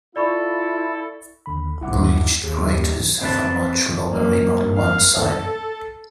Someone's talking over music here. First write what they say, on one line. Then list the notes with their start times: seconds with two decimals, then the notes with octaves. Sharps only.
Breached craters have a much lower rim on one side.
0.16 E4 F4 A4 D5 B5 C#6
1.46 D#2 D3 B5
1.81 C2 E4 F#5 D6
1.95 D#2
2.44 D#2 G#4
2.68 G3 E4 G4
3.21 C4 B4 A5
4.10 A#3
4.76 F5
5.17 A4